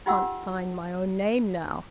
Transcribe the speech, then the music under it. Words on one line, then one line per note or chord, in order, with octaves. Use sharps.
I can't sign my own name now.
D#4 F4 G4 F#5 G5 E6